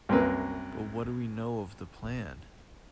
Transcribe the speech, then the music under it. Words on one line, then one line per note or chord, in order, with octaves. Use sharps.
But what do we know of the plan?
C2 F#2 A#3 B4